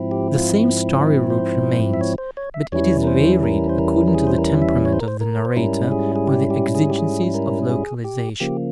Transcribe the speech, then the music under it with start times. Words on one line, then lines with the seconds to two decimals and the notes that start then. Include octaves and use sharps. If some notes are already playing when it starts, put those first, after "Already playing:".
The same story-root remains, but it is varied according to the temperament of the narrator or the exigencies of localization.
Already playing: G#2 F3 C4 E4
0.11 G4
0.35 F4
1.30 C5
1.94 E5
2.01 C#5
2.18 C5
2.37 C#5
2.54 E5
2.72 E2 E3 G3 C#4 E4 C#5
3.03 A#4
3.07 C5
3.43 A#4
3.69 C5
3.78 A#4
4.08 A#4
4.15 G#4
4.27 C5
4.38 A#4
4.62 E5
4.85 C#5
4.93 C5
5.00 A#4
5.08 C5
5.21 A#4
5.45 C5
5.56 G#2 G3 C#4 E4 A#4
5.92 G#4
6.16 G#4
6.28 G4
6.50 G4
6.75 G#4
6.90 G4
6.99 G#4
7.34 A#4
7.69 G#4
8.04 G4
8.40 C#3 F3 A#3 G4